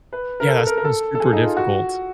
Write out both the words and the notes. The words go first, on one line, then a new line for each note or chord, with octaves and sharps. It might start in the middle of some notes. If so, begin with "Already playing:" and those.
Yeah, that sounds super difficult.
B4
A#4
A4
A4
A#4
A#4
A4
A4
G#4
D#4
F4
F#4